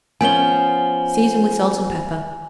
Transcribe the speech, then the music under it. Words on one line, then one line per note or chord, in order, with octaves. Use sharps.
Season with salt and pepper.
F3 B3 C#4 G#5 G7